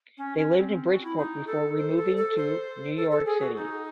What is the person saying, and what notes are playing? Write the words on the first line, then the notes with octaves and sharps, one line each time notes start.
They lived in Bridgeport before removing to New York City.
C#4
C#4
C4
F#4
E4
D#4
A4
C5
A4
A4
C5
A4
A4
G#4
F#4
D#4